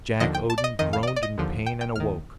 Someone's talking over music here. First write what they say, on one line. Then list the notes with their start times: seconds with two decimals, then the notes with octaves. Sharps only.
Jack Odin groaned in pain and awoke.
0.20 D#2 D3 F3 D#5
0.35 G5
0.50 A5
0.58 D5
0.64 D#5
0.79 F2 D#3 D#5
0.93 F5
1.03 D5
1.07 D#5
1.16 D5
1.23 D#5
1.38 D#2 D3 F3
1.66 G5
1.81 G5
1.96 D#2 D#3 F6